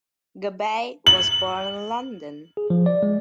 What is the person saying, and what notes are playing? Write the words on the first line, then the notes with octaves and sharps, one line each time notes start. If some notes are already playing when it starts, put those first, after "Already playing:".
Gubbay was born in London.
F#7
G#4
F3
D5
G#3